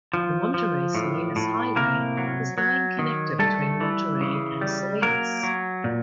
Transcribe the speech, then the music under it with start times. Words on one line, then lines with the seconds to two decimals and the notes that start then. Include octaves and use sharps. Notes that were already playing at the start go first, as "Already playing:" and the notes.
The Monterey-Salinas Highway is the main connector between Monterey and Salinas.
0.14 F3
0.54 F3
0.95 A2
1.36 A2
1.76 C3 A#3 A#4
2.17 F#3
2.58 F#3
2.99 D#3
3.39 G3 A3 A4
3.80 E3
4.21 C#3
4.61 G3
5.02 F#3 A#3 A#4
5.43 F#3
5.84 A#2